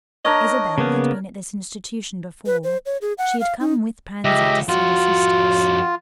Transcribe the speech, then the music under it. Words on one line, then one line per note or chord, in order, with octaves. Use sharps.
Isabel had been at this institution before; she had come with Pansy to see the sisters.
D4 A#4 C#5 D#5
C#3 A#3 B3 G#4
B4
C5
C#5
G#4
F#5
F5
D#4
C#2 G4 D#5 E5
F2 F4 F#4